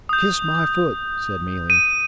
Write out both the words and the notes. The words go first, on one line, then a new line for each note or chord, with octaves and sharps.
"Kiss my foot!" said Mealy.
D#6 G6
D#7